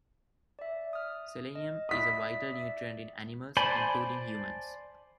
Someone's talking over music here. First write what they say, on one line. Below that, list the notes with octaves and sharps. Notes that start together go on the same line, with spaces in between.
Selenium is a vital nutrient in animals, including humans.
D5 E5
D#6 F6
D#5
E4 D5 E5 D#6 B6
D5 E5
C5 D5 G#5 A5 B5